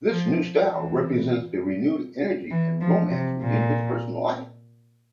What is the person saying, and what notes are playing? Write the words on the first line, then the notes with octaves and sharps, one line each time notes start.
This new style represents the renewed energy and romance within his personal life.
F3
E3
E3
F3
C3
A#2